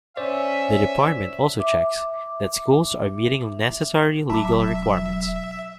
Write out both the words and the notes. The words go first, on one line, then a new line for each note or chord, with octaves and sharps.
The department also checks that schools are meeting necessary legal requirements.
C#4 C5 D5 E5
E5 D6
E1 F#3 E5 A5 B5 D6